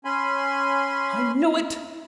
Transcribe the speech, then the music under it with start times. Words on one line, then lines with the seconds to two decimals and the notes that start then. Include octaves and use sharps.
I knew it.
0.05 C#4 G#5 B5 C6